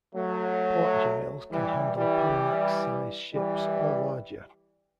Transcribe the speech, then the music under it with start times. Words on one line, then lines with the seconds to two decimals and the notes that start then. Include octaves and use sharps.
Port Giles can handle Panamax size ships or larger.
0.15 F#3 A3
1.52 E3 G3
1.97 E3 G3
3.34 E3 G3